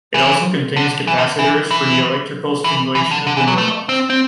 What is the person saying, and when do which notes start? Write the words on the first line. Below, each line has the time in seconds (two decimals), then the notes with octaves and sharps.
It also contains capacitors for the electrical stimulation of the neurons.
0.14 E3
0.76 D3
1.07 E3
1.18 D3
1.39 E3
1.71 E3
2.64 E3
2.95 E3
3.11 D3
3.27 D3
3.37 E3
3.47 F#3
3.58 A3
3.89 C4
4.10 C4